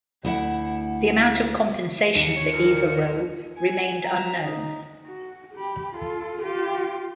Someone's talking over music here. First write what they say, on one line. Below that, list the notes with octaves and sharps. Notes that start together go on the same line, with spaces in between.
The amount of compensation for Eva Rowe remained unknown.
D2 E4 F#5
D#2 D#4 C#7
C#5
A#2 A#4
G#5
A#5
D#4
F#4
G4 B5
F4 A4
F4 G4